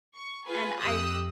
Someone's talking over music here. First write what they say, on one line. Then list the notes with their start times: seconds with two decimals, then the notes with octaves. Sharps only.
and I
0.16 C#6
0.47 F4 G#4 B4 G#5
0.79 F2 G4 D#5 D#6 E6 F#6